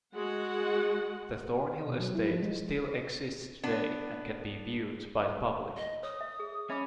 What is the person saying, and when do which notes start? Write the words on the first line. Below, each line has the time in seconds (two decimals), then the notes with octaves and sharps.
The Thornhill estate still exists today and can be viewed by the public.
0.14 G#3 F#4 F#5
1.85 B2
2.00 F#3
2.15 E4
2.31 F3
2.42 G#3
3.63 B3 D4
5.77 D#5
6.03 C#5 D#6
6.21 E5
6.40 G#4
6.70 C#4 E5 B5 D6